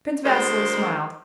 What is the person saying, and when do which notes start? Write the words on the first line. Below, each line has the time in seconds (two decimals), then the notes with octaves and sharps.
Prince Vasili smiled.
0.24 D2 G#3 A#4 C5